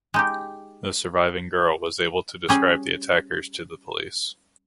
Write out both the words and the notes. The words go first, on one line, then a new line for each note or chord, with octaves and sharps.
The surviving girl was able to describe the attackers to the police.
G#3 D#4 G4
G3 C#4 G#4